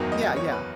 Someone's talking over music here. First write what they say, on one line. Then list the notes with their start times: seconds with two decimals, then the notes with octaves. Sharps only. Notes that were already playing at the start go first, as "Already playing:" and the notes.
Yeah, yeah,
Already playing: F#1 E2 D#3 F#3 A#3
0.12 D#5
0.36 C#5
0.52 B4